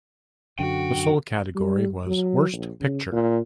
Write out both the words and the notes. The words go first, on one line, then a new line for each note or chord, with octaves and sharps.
The sole category was Worst Picture.
F#2 D3 F#4 G5
G3
F#3
A#1
C#3
A#2